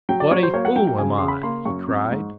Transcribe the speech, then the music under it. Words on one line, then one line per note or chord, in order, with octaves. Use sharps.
"What a fool am I!" he cried.
F#3 G5
D5
F#3 C#5
C5
A#3 C#5
F#5
F#3 G5
G5
C#3 G#5
C#3 C6
B5
A#3 C6
F#2 C#6
C4
G#2